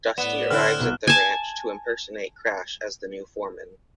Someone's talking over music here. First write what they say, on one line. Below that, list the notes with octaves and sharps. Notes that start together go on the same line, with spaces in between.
Dusty arrives at the ranch to impersonate Crash as the new foreman.
A2 B3 D5 E7
D3 C4 E4 F6 F#6
C2 B2
G#5 A5